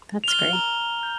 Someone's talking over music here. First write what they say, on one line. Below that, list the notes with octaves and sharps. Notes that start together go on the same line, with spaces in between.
That's great.
F7
F6 G7
A#5
A#5
G6